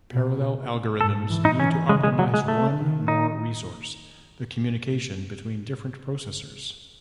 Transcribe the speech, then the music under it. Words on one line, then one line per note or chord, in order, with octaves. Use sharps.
Parallel algorithms need to optimize one more resource, the communication between different processors.
B2
G#2 A4
E3
D#4
E3 C#4
C#3 G#3
G#3
B2 F#3
G#3
A3
D#3
D#4